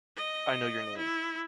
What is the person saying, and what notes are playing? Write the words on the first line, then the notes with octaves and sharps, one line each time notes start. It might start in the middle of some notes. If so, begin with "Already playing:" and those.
I know your name.
D#5
E4